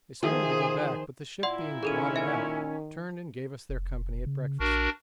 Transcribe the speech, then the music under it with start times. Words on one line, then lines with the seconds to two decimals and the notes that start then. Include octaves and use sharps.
They started to go back, but the ship being blotted out, turned and gave us their company at breakfast.
0.23 D#3 F3 G#4 C5 E5
1.43 A#2 E4 D5 F#5 C6
1.83 D#3 C#4 G#4 A4 D#7
2.16 E5 G#5
3.69 F1
4.27 C#3
4.60 A#1 D4 F#4 A#4